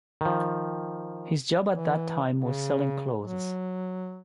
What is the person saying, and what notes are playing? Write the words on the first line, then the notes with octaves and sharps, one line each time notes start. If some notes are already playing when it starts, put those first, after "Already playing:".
His job at that time was selling clothes.
D#3 F3
E3
C#3
F#3